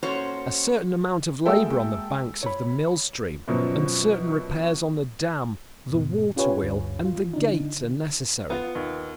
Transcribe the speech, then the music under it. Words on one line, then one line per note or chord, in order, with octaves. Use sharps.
A certain amount of labor on the banks of the mill-stream, and certain repairs on the dam, the water-wheel, and the gates are necessary.
A#3 C#4 F#4 A4 C5 C#5
G#3 A#3 F#4 A4 E5 G5
C#5 B5
F#2 B2 F3 F#3
F2 G#2 B2
C#4 F4 G4 B4 C#5 G#5
D2 G2
F4
D3 D4 D#4
B3 F4
D#2